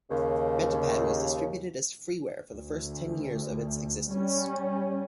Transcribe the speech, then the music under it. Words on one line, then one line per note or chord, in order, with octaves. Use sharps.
Metapad was distributed as freeware for the first ten years of its existence.
D#2 C#3
D2
G3 C#4